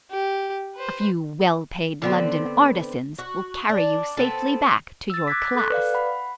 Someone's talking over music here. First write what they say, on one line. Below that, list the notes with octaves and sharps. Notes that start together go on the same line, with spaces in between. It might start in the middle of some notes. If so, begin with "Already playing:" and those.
A few well-paid London artisans will carry you safely back to your class.
G4
B4 C5
D3 B3 C4
F#4
D4
B3 C4 A4
E6 A6
D6 F#6 G#6 A6 B6
A4 F#6
B4 D5 F5
F#5 B5